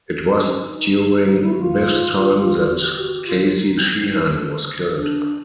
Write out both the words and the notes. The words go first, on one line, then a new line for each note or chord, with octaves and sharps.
It was during this time that Casey Sheehan was killed.
C4
D4
C#4
D#4
E4
F#4
F4
F#4
F#4
G4
F#4
G4
F4
D#4
C4
F#3
D4